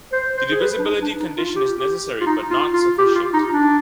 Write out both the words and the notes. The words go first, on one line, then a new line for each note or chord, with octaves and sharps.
The divisibility condition is necessary but not sufficient.
C5
C5
G#4
B4
D4
D#4
D4
D#4
F4
G4
G4
F4
D#4
F4
F4
G4
F4
D#4
D4